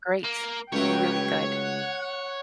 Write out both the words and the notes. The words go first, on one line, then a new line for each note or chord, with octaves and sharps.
great, really good.
A#3
C#2 F#3 A3 B4 C#5 G5
F#5